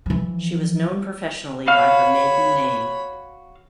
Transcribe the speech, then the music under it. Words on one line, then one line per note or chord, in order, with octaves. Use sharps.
She was known professionally by her maiden name.
E3 F3
F#4 C#5 F5 B5 F6